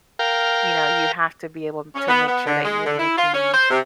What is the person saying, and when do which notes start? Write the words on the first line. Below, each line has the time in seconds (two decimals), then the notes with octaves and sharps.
you know, you have to be able to make sure that you're making,
0.19 A#4 F5 G5
1.95 C#4
2.08 B3
2.28 B3
2.47 D3
2.65 G#3
2.86 D3
2.99 E4
3.17 F4
3.34 C#4
3.54 C5
3.70 C3